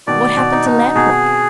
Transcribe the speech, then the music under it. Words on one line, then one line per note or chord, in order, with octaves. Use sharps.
What happened to Lamp-Wick?
B2 D#3 D5
B2
D#4
B2
B2 G#4